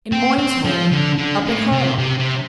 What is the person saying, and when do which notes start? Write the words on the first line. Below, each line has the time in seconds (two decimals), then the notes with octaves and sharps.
"In Moyne's home--up in Harlem."
0.12 C4
0.38 C4
0.65 F3
0.92 D3
1.18 D3
1.46 A2
1.72 C3
1.99 C3
2.19 C3